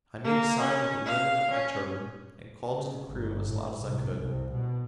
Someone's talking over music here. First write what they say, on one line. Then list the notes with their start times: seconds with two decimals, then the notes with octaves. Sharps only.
I made a sign with the linen of my turban, and called to the crew as loud as I could.
0.24 A#3
0.59 C#4
1.05 F5
1.51 C#4
2.69 C#3
3.07 G1
3.49 A2
3.83 C2
4.21 C2
4.52 B2